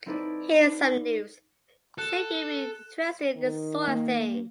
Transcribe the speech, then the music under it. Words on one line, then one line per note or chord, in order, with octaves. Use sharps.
Here is some news, should you be interested in this sort of thing.
C4 D#4 E4 A4 B4 D5
A4 F#6 E7
D#3
A#3